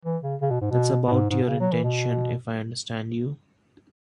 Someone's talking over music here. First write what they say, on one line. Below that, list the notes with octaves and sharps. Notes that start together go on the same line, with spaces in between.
That's about your intention, if I understand you?
E3
C#3
C#3
B2
G#2
B2
B2
G#2
G#2
B2
C#3
F#3
E3
B2